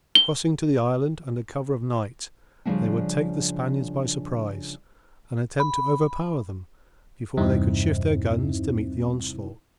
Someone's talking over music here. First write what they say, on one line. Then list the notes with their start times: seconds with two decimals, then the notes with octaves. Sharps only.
Crossing to the island under cover of night, they would take the Spaniards by surprise and attempt to overpower them before they could shift their guns to meet the onslaught.
0.15 G7
2.65 C#3 F3 G3 A#3 C#4 D4
5.60 B5
7.37 E2 G2 C3 C4 D#4 E4